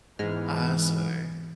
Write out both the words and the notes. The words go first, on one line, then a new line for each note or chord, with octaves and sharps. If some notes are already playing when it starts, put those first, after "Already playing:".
I see.
G#2 E3 G#3 B3 F6